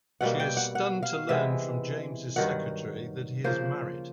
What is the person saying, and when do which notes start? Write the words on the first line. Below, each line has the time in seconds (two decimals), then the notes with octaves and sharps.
She is stunned to learn from James' secretary that he is married.
0.21 B2 G3 A#3 F#5
0.40 G5
0.57 F#5
0.75 F#5
1.03 F5
1.29 C3 E3 G#3 B3 E5
2.36 G2 D#3 F#3 F#5
3.44 C#3 F3 A#3 C5